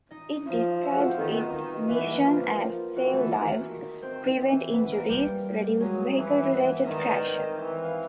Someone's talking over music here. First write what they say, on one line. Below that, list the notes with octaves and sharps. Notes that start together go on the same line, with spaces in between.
It describes its mission as Save lives, prevent injuries, reduce vehicle-related crashes.
D#4 D#5
F3
E4 E5
F#4 F#5
F4 F5
C4 C5
D#3 B3 B4
D#3
E3 B3 B4
A#3 A#4
F3 F4
E3 F#4
A3 A4
A#3 A#4
D#3
C4 C5
E3
B3 B4
A#3 A#4
G3 G4
F#3 G#3 G#4
E3
B3 B4
E5
D#3 D#5
D5
C#5
C4 C5
E3
F5